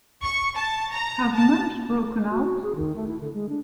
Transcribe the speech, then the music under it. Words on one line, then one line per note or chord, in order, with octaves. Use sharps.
Have mumps broken out?
C#6
A5
A#5
A5
F#4
F#4
G#4
D#3
A3
E4
D3
G#3
D4